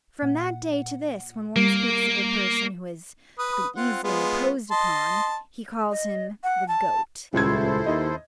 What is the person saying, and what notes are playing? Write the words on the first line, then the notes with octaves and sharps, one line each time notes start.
From that day to this when one speaks of a person who has been easily imposed upon he calls him "the goat."
A#2 F#5
G3 A#3 A#4
B4 D#6
C4 F4 F#5
G#3 B3 F4
D#5 A5 C6
D#5
F#5
A5
D#1 C#2 E4 A4 C5 G#6
D#2 D#5